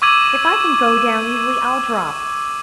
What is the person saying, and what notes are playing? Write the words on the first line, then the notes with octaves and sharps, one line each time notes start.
If I can go down easily, I'll drop.
C#6 D6 E6 G#6 D#7 F#7